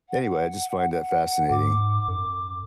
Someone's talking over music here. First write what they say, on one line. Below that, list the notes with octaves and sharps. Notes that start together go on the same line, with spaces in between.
anyway, I just find that fascinating.
F#5
G#2 D6
F#2